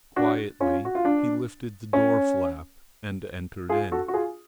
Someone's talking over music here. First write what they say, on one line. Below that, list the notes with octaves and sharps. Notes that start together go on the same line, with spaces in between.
Quietly he lifted the door-flap and entered in.
D4 F#4
C#4 F4
F#4
F4
D4
C#4
F4 G#4
F#4 A4
F#4
F4 G#4